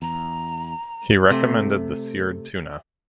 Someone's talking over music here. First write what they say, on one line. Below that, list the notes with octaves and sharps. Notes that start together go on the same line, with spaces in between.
He recommended the seared tuna.
E2 A#5
C3 A3